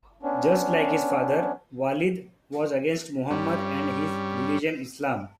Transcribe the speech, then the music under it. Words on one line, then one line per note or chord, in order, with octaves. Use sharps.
Just like his father, Walid was against Muhammad and his religion Islam.
B3 C#4 D4
G2 G3 C#4